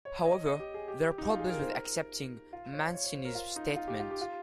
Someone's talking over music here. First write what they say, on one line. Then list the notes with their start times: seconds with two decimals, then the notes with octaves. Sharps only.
However, there are problems with accepting Mancini's statement.
0.05 C#5
0.19 C#5
0.26 D#5
0.46 D#5
0.60 G4
0.74 G#4
0.88 G4
1.18 D#4
1.30 F4
1.39 G#4
1.50 A#4
1.59 C5
1.70 A#4
2.53 F4
2.73 C#5
2.94 C#5
3.04 C#5
3.14 C5
3.25 A#4
3.35 F4
3.56 D#4
3.76 F4
3.88 G4
3.99 F4
4.11 G4
4.21 F4